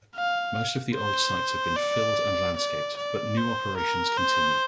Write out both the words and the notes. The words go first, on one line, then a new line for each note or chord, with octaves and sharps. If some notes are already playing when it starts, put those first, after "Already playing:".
Most of the old sites have been filled and landscaped, but new operations continue.
F5
C5
D5
D5
D5
C5
A#4
C5